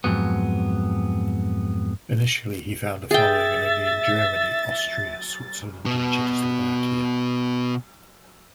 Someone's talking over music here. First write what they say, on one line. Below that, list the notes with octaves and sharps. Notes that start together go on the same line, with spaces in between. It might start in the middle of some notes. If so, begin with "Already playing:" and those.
Initially he found a following only in Germany, Austria, Switzerland and Czechoslovakia.
F2 G#2 F#3 B3
G#4 E5 G5 A6
B2 B3